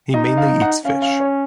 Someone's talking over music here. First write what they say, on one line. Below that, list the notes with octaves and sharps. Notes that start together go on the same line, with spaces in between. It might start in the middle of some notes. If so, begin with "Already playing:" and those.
He mainly eats fish.
D#4 D#5
F5
F#5
C#4 F5
F5
C#5